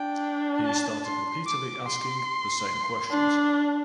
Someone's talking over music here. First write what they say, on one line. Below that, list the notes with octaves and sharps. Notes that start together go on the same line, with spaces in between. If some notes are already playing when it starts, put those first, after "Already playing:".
He started repeatedly asking the same questions.
Already playing: D4 G5
A5
C6
D6
C6
D4